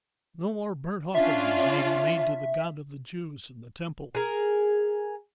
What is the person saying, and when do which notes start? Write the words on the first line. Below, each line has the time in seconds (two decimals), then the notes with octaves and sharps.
'No more burnt offerings may be made to the God of the Jews in the Temple.
1.15 C#4 D4 F4 E5
4.15 G#4 A#4